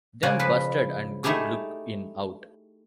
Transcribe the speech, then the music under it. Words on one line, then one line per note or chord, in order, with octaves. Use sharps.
Them," "Busted" and "Good Lookin' Out.
C#3 A#3 C5 F#5 G#5
F3 B4
A3 D#4 E4 G4 G#4